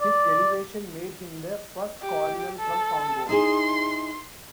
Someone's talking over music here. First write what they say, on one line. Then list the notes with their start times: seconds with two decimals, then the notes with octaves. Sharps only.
His elevation made him the first cardinal from Congo.
0.01 D5
2.02 G4
2.58 A4
3.29 D#4 E4 G#4 C6